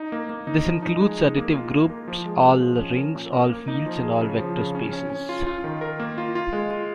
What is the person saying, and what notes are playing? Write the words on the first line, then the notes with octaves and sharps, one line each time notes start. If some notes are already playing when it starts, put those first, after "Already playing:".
This includes additive groups, all rings, all fields, and all vector spaces.
Already playing: D#4
A#3
A#3
D#4
F3
D#4
G#3
D#4
A#3
F4
A#3
A#3
F3
G#3
G#3
F3
C#4
A#4
A#2
A#4
A#3
D#4
F3
G#4
C#3
F3
C#3
C#4
C#4
C#4
F4
F4
D#3
A#4
A#3
F4
F4
G#3
F4